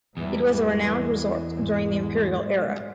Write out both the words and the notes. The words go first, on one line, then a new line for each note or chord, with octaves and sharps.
It was a renowned resort during the imperial era.
E2 G#2 E3 G3
G#2 G#3